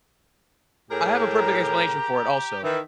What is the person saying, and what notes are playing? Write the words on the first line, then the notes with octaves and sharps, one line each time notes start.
I have a perfect explanation for it also.
A2 G4 G#4 A#4
A#5
D#3 E3 E5